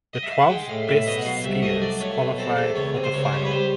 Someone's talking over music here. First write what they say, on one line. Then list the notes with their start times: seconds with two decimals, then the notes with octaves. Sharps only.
The twelve best skiers qualified for the final.
0.13 D#5
0.23 E5
0.32 F5
0.41 F#5
0.50 G#3 G5
0.69 A2 F5
0.88 A2 E5
1.06 B2 D#5
1.17 F#5
1.26 F#3 F5
1.44 C2 E5
1.62 A3 D#5
1.82 F#3 D5
2.00 A3 C#5
2.19 B2
2.38 C4 A4
2.57 E2 A4
2.76 C#2 C#5
2.94 C3
3.04 C5
3.14 C#2 C#5
3.24 C5
3.32 G3 C#5
3.45 B4
3.51 G3 C5